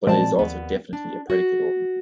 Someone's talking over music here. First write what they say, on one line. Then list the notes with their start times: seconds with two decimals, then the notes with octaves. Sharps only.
But it is also definitely a predicate over "him".
0.07 A#2 F3 G#3 C4 D5 A5
0.39 D#2 B3
0.93 D4
1.30 F#4